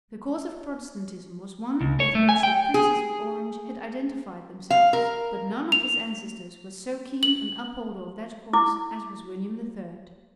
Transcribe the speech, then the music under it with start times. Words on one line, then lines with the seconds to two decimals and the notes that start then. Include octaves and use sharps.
The cause of Protestantism was one with which the Princes of Orange had identified themselves; but none of his ancestors was so keen an upholder of that cause as was William III.
1.81 C#2
2.00 C#5
2.15 A3
2.29 G#5
2.43 G5
2.74 G#4
4.70 F5
4.93 A#4
5.72 F7
7.23 F#7
8.53 E4 D6